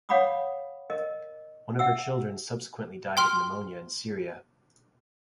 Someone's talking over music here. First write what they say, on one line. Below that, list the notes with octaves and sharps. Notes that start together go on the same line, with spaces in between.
One of her children subsequently died of pneumonia in Syria.
C#5 F5 F#5 B5 D6 D#6
A#4 D#5
E5 F#5 E6
G5 C6 F6